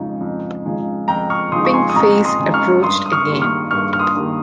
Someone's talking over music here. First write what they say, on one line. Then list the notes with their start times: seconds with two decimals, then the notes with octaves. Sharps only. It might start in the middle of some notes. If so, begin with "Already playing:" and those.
Pink face approached again.
Already playing: F2 C#3 F3 G#3 D#4
0.21 F2
0.64 C#3 F3 G#3 D#4
1.08 F2 G5 A#5
1.30 C#6 F6
1.52 C#3 F3 G#3 D#4 C6 D#6
1.65 C#6
1.74 G#5 C6
1.89 D#6
1.95 F2 A#5 C#6
2.25 C6 D#6
2.39 C#3 F3 G#3 D#4
2.54 C#6 F6
2.83 G2 C6 D#6
3.06 D#6
3.12 C#6 F6
3.27 D#3 G3 A#3
3.42 C#6 F6
3.71 G2 C#6 F6
3.93 F6
3.99 C6 D#6
4.15 D#3 G3 A#3